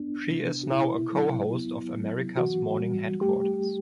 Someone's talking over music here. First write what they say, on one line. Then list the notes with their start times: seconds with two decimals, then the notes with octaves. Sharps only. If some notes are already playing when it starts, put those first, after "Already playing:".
She is now a co-host of "America's Morning Headquarters".
Already playing: B3 D4
0.29 C3
0.63 F#4
0.71 B2 E4
1.12 F#3
1.55 B3
1.97 F#3
2.37 E3 F#4
2.80 G3
3.21 A3 G4